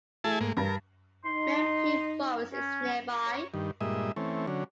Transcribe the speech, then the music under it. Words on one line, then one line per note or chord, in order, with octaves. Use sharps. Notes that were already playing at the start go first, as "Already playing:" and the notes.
Mempi Forest is nearby.
A3 E4 G#4 A5
G#2 A#3
G2 A#4
D#4 C6
C#4
C#5
G2 D#3
G2 A#2 G#3 D#5 E5
E3 A3 C4 C#4
D3 F#3 C#4